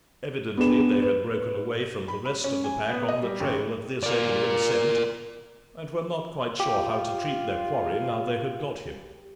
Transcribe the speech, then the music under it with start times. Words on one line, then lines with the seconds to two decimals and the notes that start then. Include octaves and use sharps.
Evidently they had broken away from the rest of the pack on the trail of this alien scent, and were not quite sure how to treat their quarry now they had got him.
0.58 B3 D4 G#4 E7
1.02 B4
2.08 B5
2.25 B5
2.44 C#4
2.64 G#5
2.90 B3
3.08 D#5
3.22 G3
3.40 A1
4.03 A#4 D5
6.60 F4 G4